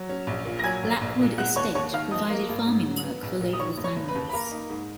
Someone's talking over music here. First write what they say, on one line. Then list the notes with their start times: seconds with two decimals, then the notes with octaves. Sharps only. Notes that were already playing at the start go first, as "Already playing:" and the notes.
Blackwood estate provided farming work for local families.
Already playing: F#3
0.09 C#4
0.27 A#1
0.45 A#2
0.59 A#6
0.64 F#3 G#5 G#6
0.83 A#1
1.01 A#1
1.20 A#2
1.38 G#3 F#5 F#6
1.56 D#2 C#5 C#6
1.75 D#2 C#5 C#6
1.93 D#3 F5 F6
2.11 F3 D#5 D#6
2.30 A#3
2.49 G#1
2.67 G#2
2.86 F#3
3.04 B3
3.23 A#1
3.41 A#2
3.53 D#6
3.59 D#3 C#5 C#6
3.77 F1
3.84 C#5 C#6
3.96 F1
4.08 B4 B5
4.15 D#2
4.29 B5
4.33 A#3 A#4 A#5
4.51 D#4
4.70 G#2